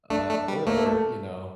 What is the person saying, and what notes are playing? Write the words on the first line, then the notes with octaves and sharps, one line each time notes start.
uh, or, you know,
A3 D4
A3
G3
A3 A#3
A3